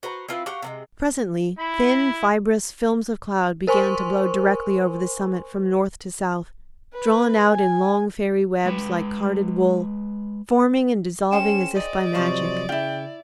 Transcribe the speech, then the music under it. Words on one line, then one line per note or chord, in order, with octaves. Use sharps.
Presently thin, fibrous films of cloud began to blow directly over the summit from north to south, drawn out in long fairy webs like carded wool, forming and dissolving as if by magic.
F#4 B4 C5 A#5
C4 E4 F4 B4
F#4 G4 F5 F#5
C3 D#3 G#3
E4 B5
A#4 C5 G#5 C6 C#6
B4
G#5
G#3 B4
C#4 G#4 C5 G5 E7
D5 D#5
C3 F3 F#3 C5 C#6
C#3 E4 F4 G5